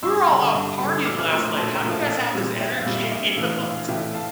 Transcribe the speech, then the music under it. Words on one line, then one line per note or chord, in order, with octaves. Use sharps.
We're all out partying last night, how do you guys have this energy, you know? It's like
G2 C6 E6
D3 G3
G2
D3 G3
A#1 D6 F6
D6 F6
A2 F3 A#3 C6 E6
A#5 D6
A#1 A5 C6
G5 A#5
A2 F3 A#3
F5 A5
A#1
A#2 G3 C4
A#1 E5 G5
F5
A#2 G3 C4
E5
A#1 E5
A2 E3 A3 F5
A#1 F5
A2 E3 A3 E5 G5
F5 A5